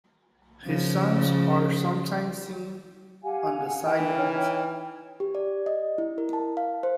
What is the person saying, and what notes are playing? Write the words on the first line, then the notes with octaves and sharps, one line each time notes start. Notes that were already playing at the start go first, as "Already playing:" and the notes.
His sons are sometimes seen on the sidelines.
C#3 F3
G4 F5 F#5 G#5
E3 G5
D#4 C#5 F6
G4
D5
D#5
E4
A#4
A5
F5
C5